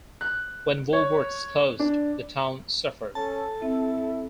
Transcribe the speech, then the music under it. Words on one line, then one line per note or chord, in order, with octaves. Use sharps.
When Woolworth's closed, the town suffered.
F#6
C#5
D4
C#4 A4 A5
C4 E4